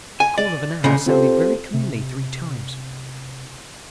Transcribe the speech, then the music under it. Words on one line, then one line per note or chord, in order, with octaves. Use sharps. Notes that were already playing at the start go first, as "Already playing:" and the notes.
The call of an owl sounded very clearly three times.
G#5
D5
D2 C#3
C4 F4 G4 A4 C5
C3